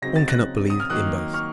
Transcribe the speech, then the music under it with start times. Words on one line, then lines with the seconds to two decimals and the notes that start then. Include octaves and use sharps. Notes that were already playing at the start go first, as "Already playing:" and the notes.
One cannot believe in both.
0.02 C#3 F#3 C4 D#4 A#6
0.16 A6
0.29 F#6 A#6
0.70 D#6
0.80 F6
0.90 D#3 F#3 A#3 D#4 D#6 F#6
1.34 C#6 F6